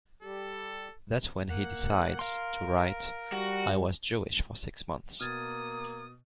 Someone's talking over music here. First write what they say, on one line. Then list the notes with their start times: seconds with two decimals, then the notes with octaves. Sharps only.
That's when he decides to write, "I Was Jewish for Six Months".
0.23 G3 G4 A4
1.49 A#3 F#5
2.19 A#4 F5 C6
3.32 G3 F#4
5.20 B2 A#3 D#6 F6 G#6 A6